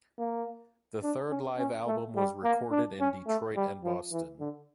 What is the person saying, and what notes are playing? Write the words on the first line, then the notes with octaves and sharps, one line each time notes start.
The third live album was recorded in Detroit and Boston.
A#3
D4
C#4
C#4
A3
G3
A#3
D4
C#4
A3
G3
F3
E3
D3